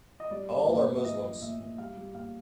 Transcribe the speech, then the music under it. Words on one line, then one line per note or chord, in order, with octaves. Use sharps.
All are Muslims.
D#5
G3 D5
G3
A#2
A#2
E5
F3 D#5
F3
A#2 E5
A#2
G3 F5
G3
A#2 F5